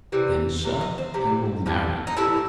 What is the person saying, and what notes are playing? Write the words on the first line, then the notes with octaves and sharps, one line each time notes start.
"Then, sir, I will marry you."
C3 E3 G3
C3 E3
D#5
C5
C3 E3 G3
A2 E3 G3
D#4
A2 E3 G3 E4